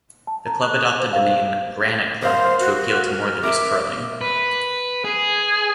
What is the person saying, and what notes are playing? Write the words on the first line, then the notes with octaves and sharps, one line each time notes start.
The club adopted the name "Granite Club" to appeal to more than just curling.
A5
A#5
F#6
F7
C5
F5
A#4 C5 F5
F#4
F6
A#4 E5 D6
B4
G#4